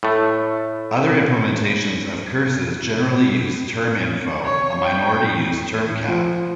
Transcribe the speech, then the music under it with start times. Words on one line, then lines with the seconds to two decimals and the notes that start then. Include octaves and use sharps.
Other implementations of curses generally use terminfo; a minority use termcap.
0.03 A2 A3
4.44 C#5
4.85 G5
6.08 F3